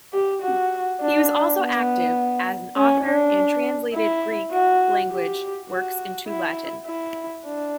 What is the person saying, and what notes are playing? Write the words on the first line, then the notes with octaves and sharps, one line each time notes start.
He was also active as an author, and translated Greek language works into Latin.
G4
F#4
D4
B3
C#4
D4
E4
F#4
G4
F#4
E4
E4
D4